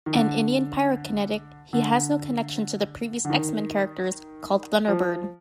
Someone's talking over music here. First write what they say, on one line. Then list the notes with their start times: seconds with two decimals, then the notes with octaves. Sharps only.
An Indian pyrokinetic, he has no connection to the previous X-Men characters called Thunderbird.
0.06 D#3
0.15 D3
1.73 D3
3.25 D3
3.30 D#3
4.88 F3